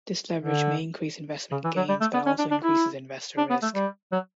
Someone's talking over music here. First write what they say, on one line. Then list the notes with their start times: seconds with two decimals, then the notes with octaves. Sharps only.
This leverage may increase investment gains but also increases investor risk.
0.40 D3
1.52 C#3
1.65 E3
1.77 F#3
1.89 G3
2.01 A3
2.14 B3
2.26 C#4
2.39 D4
2.51 D4
2.64 E4
3.38 D4
3.50 B3
3.63 A3
3.75 G3
4.12 F#3